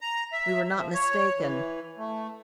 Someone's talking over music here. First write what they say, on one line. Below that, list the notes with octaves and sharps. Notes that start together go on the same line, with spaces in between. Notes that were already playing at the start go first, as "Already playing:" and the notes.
We were not mistaken.
A#5
E5
F3
C#5
E3
A3